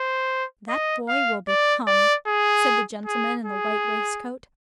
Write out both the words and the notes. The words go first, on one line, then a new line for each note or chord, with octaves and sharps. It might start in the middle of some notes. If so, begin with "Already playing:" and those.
'That boy will be hung,' said the gentleman in the white waistcoat.
Already playing: C5
D#5
F5
D5
D5
G#4
G#4
G#4